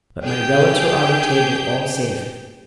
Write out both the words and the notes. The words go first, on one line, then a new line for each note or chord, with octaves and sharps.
But my relics were on the table, all safe.
G4 G#4 G5 G6